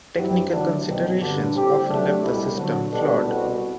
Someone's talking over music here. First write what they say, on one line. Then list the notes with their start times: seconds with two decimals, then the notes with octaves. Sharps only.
Technical considerations often left the system flawed.
0.15 G2 F#3 C4 E4 G4
0.50 D3 F#3 A3 D4
0.84 B1 B2 F#3 C4
1.18 G2 D3 G3 D4
1.53 A2 G3 C4 G4
1.86 C3 F#3 A3 D4
2.21 C2 B2 G3
2.54 D3 F#3 C4 F#4 A4
2.88 B2 G3 D4 A4
3.23 C2 B2 G3 C4 F#4